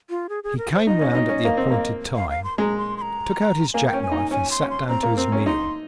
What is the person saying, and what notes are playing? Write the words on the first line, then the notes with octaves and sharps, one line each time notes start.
He came round at the appointed time, took out his jackknife, and sat down to his meal.
F4
G#4
G#4
A#4
C5
D#4 D#5
C#4
D#4
C#4
A#3
C4
A#3
F5
F5
C6
G#3 A#5
C6
C6
A#5
A#3 G#5
G5
C#4
G#5
D#4
G#5
C#4 G#5
C6
C#4
C6
C4 A#5
A#3
C4 A#5
C#4
D#4 C6